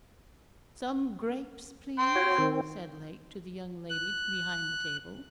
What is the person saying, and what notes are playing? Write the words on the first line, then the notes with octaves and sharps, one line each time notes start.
'Some grapes, please,' said Lake, to the young lady behind the table.
G5 C6
F#4 C#5
D#3 C4
F#6